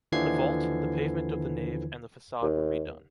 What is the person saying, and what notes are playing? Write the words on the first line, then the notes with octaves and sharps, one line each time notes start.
The vault, the pavement of the nave and the facade were redone.
D#2 D3 E3 F3 G#6 C7
D#2